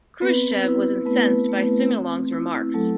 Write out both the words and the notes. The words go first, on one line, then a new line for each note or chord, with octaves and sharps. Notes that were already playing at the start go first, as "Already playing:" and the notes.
Khrushchev was incensed by Sumulong's remarks.
B3 C4 B4
E4
A3 B3 B4
A3
C4
E4
F#3 A3 A4